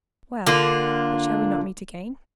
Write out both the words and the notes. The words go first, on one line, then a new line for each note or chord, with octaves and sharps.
"Well, but shall we not meet again?"
D3 A#3 D4 F4